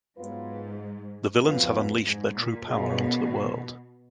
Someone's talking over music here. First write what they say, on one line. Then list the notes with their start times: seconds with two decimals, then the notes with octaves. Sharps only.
The villains have unleashed their true power onto the world.
0.17 G#2 F#3 B3 F4 B4
1.42 F2 F#3 B3 F4
2.04 G#2
2.35 A#2
2.66 B2 G#3 C#4 F4 A#4